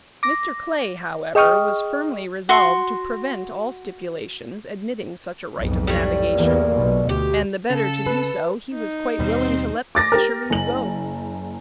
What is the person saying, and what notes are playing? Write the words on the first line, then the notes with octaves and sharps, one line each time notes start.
Mr. Clay, however, was firmly resolved to prevent all stipulations admitting such a right of navigation, and the better to do so he was quite willing to let the fisheries go.
D6 A#6
G#4 D#5 G5 C#6 D#6 F6
F#4 C6 C#6
B1 F2 G#2
A2 G3
E2 A#3
B1 B2
D2 G4
C#3 A4
B4
D#4
D#2 B2 G3 C4 C5
D6 A6 A#6
G4 A#4
F#1 F#7